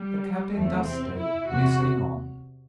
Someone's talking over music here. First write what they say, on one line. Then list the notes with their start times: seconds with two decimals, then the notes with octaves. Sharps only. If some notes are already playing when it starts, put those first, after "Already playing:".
The Captain does stay, listening on.
Already playing: G3
0.54 E2 C3 E3 A3
0.85 C4
1.16 E4
1.47 E2 C3 E3 F#4